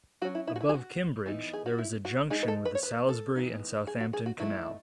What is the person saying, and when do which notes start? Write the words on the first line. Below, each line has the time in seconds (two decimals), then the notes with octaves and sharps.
Above Kimbridge, there was a junction with the Salisbury and Southampton Canal.
0.22 F#3 F#4
0.25 C#4
0.35 E4
0.47 E4
0.56 F#4
0.61 E4
0.69 G#4
0.74 F#4
1.26 E3 B3 D#4
1.53 G#4
1.66 F#4
1.79 E4
2.05 F#4
2.30 G#3 D#4 G#4
2.43 B4
2.48 A4
2.65 B4
2.75 C#5
2.83 B4
3.09 A4
3.36 E3 B3 D#4
3.87 G#4
4.00 F#4
4.13 G#4
4.26 F#4
4.39 F#3 A3 D#4 E4